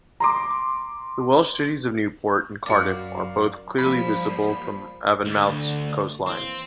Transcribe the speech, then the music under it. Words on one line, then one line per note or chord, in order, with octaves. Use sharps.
The Welsh cities of Newport and Cardiff are both clearly visible from Avonmouth's coastline.
A#5 C6 D6
F#2 F#4 A#4 D5 F5 D6
F3 G3 A#3 B5
D2 D3
E3 A#3 C4